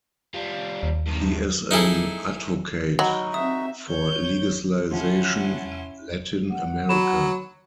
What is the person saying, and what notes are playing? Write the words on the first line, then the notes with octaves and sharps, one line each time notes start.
He is an advocate for legalization in Latin America.
G3 F4
D#2
G2 D#3
D#4 E4 G#4 A4
F#3 D#4 F#4 D#5 B5
C4 E5 D#6
C#5 G6
F3 C#4 E4 F#5 C6
F#5
F#3 B5 E7